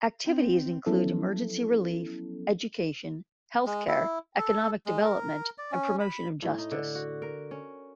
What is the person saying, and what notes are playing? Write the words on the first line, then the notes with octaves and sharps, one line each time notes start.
Activities include: emergency relief, education, health care, economic development, and promotion of justice.
C4
F3 F#3 B3 C#4 E4 A4
G#3
E4
A4
G#3
A#4
D5
C#4
B5
A2
D#4
D3
F#4
A#4
C#4